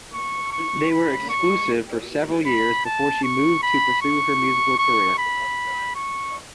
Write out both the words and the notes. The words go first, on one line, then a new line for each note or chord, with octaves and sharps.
They were exclusive for several years before she moved to pursue her musical career.
C#6
C#6
B5
C#6
B5
A5
C#6
B5
C#6
C#6
B5
C#6